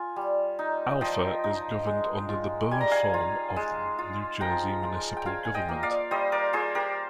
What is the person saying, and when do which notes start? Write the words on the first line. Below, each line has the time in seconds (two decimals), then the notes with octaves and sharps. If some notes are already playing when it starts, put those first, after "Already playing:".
Alpha is governed under the Borough form of New Jersey municipal government.
Already playing: F4 G#5
0.16 G3
0.59 D#4
1.01 F3 D#5 G5
1.44 D#4
1.86 G#3
2.29 F4
2.71 G3 G#5
2.81 A#5
2.91 F5 G#5
3.14 F4
3.56 G#3
3.98 F4
4.41 F3 G5 A#5
4.83 F4
5.17 G5
5.25 F4 F5 G#5
5.45 G#5
5.54 D#5 G5
5.69 A#3
5.83 D5 F5
6.11 G3 C5 D#5
6.32 A#4 D5
6.53 F4 G#4 C5
6.75 G4 A#4